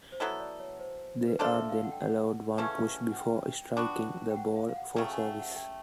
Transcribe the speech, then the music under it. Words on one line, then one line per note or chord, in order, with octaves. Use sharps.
They are then allowed one push before striking the ball for service.
C5
F#3 B3 E4 A4 C#5
D5
C#5
C5
B4
A3 D4 F4 A4 C5
E5
F5
F#5
G5
F#5
C#3 E3 A3 C#4
F#5
G5
B3 D4 F#4
G5
F#5
F5
F5
F#5
C#3 F#3 A3 G5
G#5
F#5
G5
F#5
G5